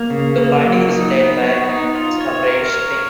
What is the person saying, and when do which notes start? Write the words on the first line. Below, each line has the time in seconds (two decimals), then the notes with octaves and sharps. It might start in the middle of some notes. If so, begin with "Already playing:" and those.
The party is led by Samresh Singh.
Already playing: A#3
0.10 C#3
0.37 A#3
0.63 F#3
0.89 D#4
1.16 B3
1.42 C#5
1.69 D#4
1.95 F4
2.21 C#5
2.48 A#4
2.74 C#5